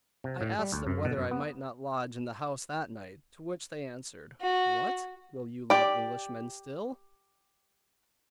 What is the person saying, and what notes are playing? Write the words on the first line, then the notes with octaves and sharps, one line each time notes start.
I asked them whether I might not lodge in the house that night, to which they answered, "What, will you love English men still?"
C3
A2
G3
D2
F#2
B2
F#2
B3
F#4
G4 D5